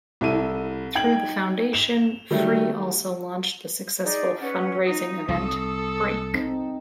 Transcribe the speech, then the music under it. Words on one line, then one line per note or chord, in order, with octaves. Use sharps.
Through the foundation, Free also launched the successful fundraising event, Break!
C2 E4 A4 D#7
D#4 G5 G#6 F#7
E7 F7 G7
D#3 F#3 G3 A3
D#4 G#4 D5
C#4 B4 F#5
D#4 D#6
C2 A4
C4 D#4